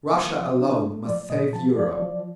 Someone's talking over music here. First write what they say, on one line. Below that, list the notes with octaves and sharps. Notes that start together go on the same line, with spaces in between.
Russia alone must save Europe.
A#3
F3
D4
A3
F3 D5
A#2 D#5
F3 A5
F3 D5
F3